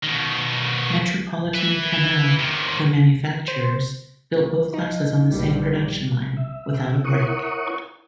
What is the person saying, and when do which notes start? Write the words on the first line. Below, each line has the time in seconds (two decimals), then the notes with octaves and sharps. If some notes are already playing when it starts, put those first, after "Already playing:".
Metropolitan-Cammell, the manufacturers, built both classes on the same production line, without a break.
0.03 B2 D#3
1.54 E4 B4
2.39 C3 D#3
3.48 C5
4.74 D#4
5.27 A#1 G2 G3
6.37 E5
7.04 E4 A#4 C#5 F#5 C#6 D#6